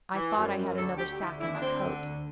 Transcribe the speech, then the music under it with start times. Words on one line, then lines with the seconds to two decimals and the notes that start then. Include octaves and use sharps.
I thought I had another sack in my coat.
0.15 E3
0.36 F#2
0.56 F#2
0.76 D2 A4
0.98 D2 G4
1.19 D3 E4
1.39 D3 E4
1.53 D4
1.60 D2 C4
1.81 D3
2.01 D2